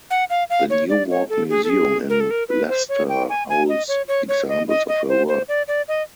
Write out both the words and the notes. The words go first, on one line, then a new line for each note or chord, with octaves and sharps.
The New Walk Museum in Leicester holds examples of her work.
F#5
F5
F5
C#5
D5
C#5
A4
G#4
A4
G#4
A#4
A4
A#4
B4
C5
C#5
G5
G#5
G#5
D#5
C#5
C#5
C#5
D#5
D#5
D#5
C5
C5
D5
D5
D#5